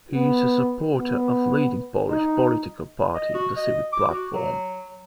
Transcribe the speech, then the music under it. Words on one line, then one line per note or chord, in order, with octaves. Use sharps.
He is a supporter of leading Polish political party, the Civic Platform.
B3
B3
D#4
D#5
F#4
D#5
D6
F#4
F#3